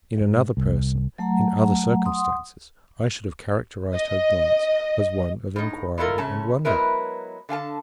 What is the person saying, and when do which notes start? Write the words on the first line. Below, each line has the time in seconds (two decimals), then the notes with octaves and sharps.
In another person in other circumstances I should have characterized her glance as one of inquiry and wonder.
0.21 G#2
0.57 C2
1.18 F#3 A3 F#5 A#5
2.05 F#5 C6 D#6
3.94 D#5
5.56 A2 D#4
5.98 G#3 E4 F4 A4 A#4
6.18 F#2 C#3 C#4 A5
6.65 F#3 G#3 B3 E4 A#4 B4
7.49 D3 F5 G#5 A5